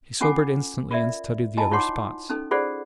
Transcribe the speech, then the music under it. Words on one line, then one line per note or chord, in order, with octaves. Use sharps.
He sobered instantly and studied the other spots.
C#4 F4 A4 F#5 G#5 D6
F4 A#4 D5 E5
E4 F4 D#5 G#5 A5
D#4 F4 C#5 F#5 C6 D6
C#4 D#4 A4
F4 G#4 A4 C5 D5 F#5